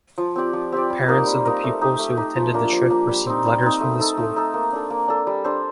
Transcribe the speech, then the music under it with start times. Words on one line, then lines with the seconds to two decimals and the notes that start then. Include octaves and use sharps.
Parents of the pupils who attended the trip received letters from the school.
0.18 F3
0.36 C4 G4 D5
0.53 F3
0.72 C4 G4 D5
0.90 G3
1.08 A#3 D#4 A#4
1.26 G3
1.45 A#3 D#4 A#4
1.64 A3
1.81 D#4 G4
1.99 A3
2.17 D#4 G4
2.36 F3
2.54 A#3 D4
2.72 F3
2.90 A#3 D4
3.08 G3
3.27 C4 D#4
3.45 G3
3.62 C4 D#4
3.81 A3
3.99 D#4 A4
4.17 A3
4.36 D#4 A4
4.54 A#3
4.73 D4 A4
4.90 A#3
5.08 D4 A4
5.27 G3
5.44 D4 A4 C5